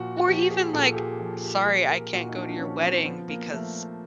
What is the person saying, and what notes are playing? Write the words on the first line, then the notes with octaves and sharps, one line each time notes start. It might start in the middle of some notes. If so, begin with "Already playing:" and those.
or even, like, "Sorry, I can't go to your wedding because
Already playing: A#2 F3 F#4
F#4
F3 G4
G#4
A#2 A4
G4
G#4
F3
G4
F3
A#4
A#2 F#4
D#4
D4
D4
F3 C#4
C4
F3 B3
A#3
F3 A3